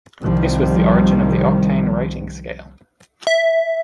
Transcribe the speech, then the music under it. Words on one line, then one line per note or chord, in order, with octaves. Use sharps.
This was the origin of the octane rating scale.
C2 D#3 F3 G3
E5